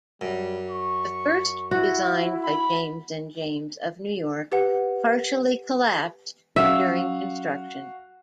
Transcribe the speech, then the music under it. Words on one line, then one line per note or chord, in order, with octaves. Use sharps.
The first design by James and James of New York partially collapsed during construction.
F#2 G3
C#6
E4 F#4
B5
G4 B4 F#5
F#3 C#4 F#4 E5 F5